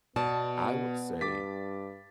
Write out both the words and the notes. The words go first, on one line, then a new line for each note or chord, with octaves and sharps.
I would say
B2 B3 D5 A5
G2 D6 A6 B6